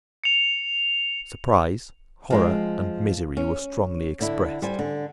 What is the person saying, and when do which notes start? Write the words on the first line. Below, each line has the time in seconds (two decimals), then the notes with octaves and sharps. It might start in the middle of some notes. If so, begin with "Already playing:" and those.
Surprise, horror, and misery were strongly expressed.
0.24 C#7 F7
2.30 F3 G#3 C4
3.37 C#4
4.21 D3 D4 E4
4.62 G3 C5 G#5
4.79 D3